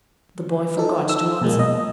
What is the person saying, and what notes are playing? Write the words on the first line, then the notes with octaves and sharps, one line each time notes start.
The boy forgot to answer.
D#4 A4
E6
B1 A#2 G#3 A#3
D#5